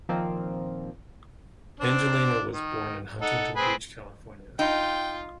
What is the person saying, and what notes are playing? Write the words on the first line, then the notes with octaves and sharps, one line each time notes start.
Angelina was born in Huntington Beach, California.
A#2 D#3 F3 A#3 C4
C4 D4
D#3
D#4 A4 F#5
C4 G#4 B4
D#4 F4 G5